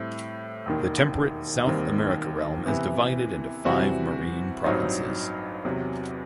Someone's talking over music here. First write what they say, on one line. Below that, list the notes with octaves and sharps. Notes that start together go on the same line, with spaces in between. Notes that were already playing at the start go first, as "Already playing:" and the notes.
The Temperate South America realm is divided into five marine provinces.
Already playing: A2 G3 C4 E4
E1 D#2 D#3
E1 D#2 D#3 G3 C4
C3 E3 B3 E4
C3 E3 G3 C4 F#4
A1 G2 F#3 C4 D#4
E2 C3 F#3